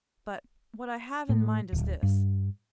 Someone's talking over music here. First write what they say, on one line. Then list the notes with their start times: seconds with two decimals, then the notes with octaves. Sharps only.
But what I have in mind is this.
1.29 A2
1.73 D1
2.03 G2